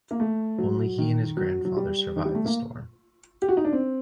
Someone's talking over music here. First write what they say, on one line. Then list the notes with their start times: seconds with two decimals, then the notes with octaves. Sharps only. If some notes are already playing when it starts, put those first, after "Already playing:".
Only he and his grandfather survived the storm.
0.11 A#3
0.20 A3
0.58 F#3
0.98 D#3
1.37 F#3
1.65 F#3
1.77 G3
2.16 D#3
2.25 G3
2.35 A3
2.45 A#3
3.42 G4
3.48 F#4
3.57 D#4
3.65 D4
3.73 C4